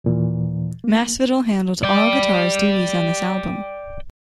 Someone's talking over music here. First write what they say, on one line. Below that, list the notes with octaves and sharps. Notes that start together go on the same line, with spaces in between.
Masvidal handled all guitars duties on this album.
D#2 A#2 E3
A#3
D5 G5